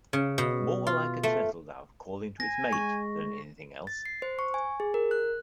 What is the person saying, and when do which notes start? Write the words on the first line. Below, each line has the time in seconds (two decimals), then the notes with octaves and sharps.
More like a turtle dove calling to its mate than anything else.
0.13 C#3
0.38 B2
0.87 F4
1.23 A3
2.40 G#5 A#6
2.73 G#3 C#6
3.87 A6
4.05 C7
4.22 C5
4.39 C#6
4.54 G#5
4.80 G#4
4.94 A#4
5.11 F#6